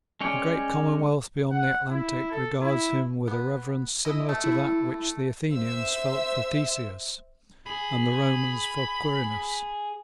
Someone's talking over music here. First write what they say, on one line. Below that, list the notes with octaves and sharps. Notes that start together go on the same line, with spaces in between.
A great commonwealth beyond the Atlantic regards him with a reverence similar to that which the Athenians felt for Theseus, and the Romans for Quirinus.
G#3 C#4 C#5 D5 G5
F#5
E4
A4
E4
B3
E4 D#5
A3
E4
C5 E5 E6
G#4 B5